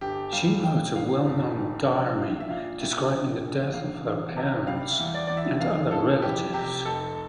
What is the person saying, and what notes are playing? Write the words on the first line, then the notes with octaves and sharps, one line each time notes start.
She wrote a well-known diary, describing the death of her parents and other relatives.
G1 G4
G3 F5
G2 G5
E3 F5
G1
G3
A#1
A#1 F5
E5
A#2 F5
G3 E5
A#1
A#1
E2 F5
E2
C3
G3 F5
E5
E2
D5
E2 D5
E5
F1 F5
E3 A4
F2 G4
C3 G4
F1 A4